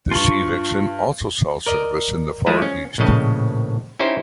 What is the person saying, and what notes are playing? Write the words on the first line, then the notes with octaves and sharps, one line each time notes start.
The Sea Vixen also saw service in the Far East.
G2 F4 C#6
A#4 D5 D#5
F3 G#3 A3 E4
C#4
A#1 A2 C#3 D#5
C#4 D#4 E4 G4 C5